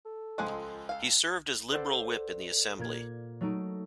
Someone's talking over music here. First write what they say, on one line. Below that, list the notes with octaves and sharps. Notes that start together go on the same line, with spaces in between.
He served as Liberal whip in the assembly.
A4
C#2 F3 G#3 G#5 F#6
A4 F5
A4 B4 C5 D5 F#5
A#2 A#3 G#6
F#3 A3 D#4 D7